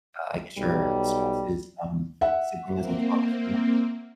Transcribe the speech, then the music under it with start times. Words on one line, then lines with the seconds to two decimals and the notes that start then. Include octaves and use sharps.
uh I guess your spouse's, um, sibling doesn't talk as well,
0.58 B1 G3
2.21 E5 F#5
2.76 A#3 C4